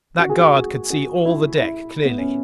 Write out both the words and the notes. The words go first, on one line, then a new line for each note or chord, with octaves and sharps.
That guard could see all the deck clearly.
F#4
G#4
F#4
G#4
F#4
E4
E4
B3
C#4